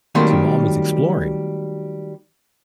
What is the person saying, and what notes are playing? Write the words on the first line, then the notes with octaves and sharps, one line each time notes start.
So mom is exploring.
D#3 F#3 G3 A3 A#3 C4